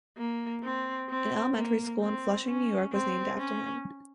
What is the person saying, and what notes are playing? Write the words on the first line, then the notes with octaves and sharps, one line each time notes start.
An elementary school in Flushing, New York was named after him.
A#3
C4
C4
A#3
C4
C#4
C4
C#4